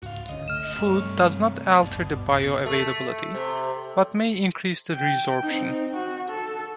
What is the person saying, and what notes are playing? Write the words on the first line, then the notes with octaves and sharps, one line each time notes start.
Food does not alter the bioavailability, but may increase the resorption.
C#2 G#2 F#4 F5
F#1 C#2 D3 C#4 D#5
A3 F6 E7
G2 C3 G3 C#5
D#1 G#1 G2 B2 D5
A3
C3
G5
C4 D#4
F#4
A4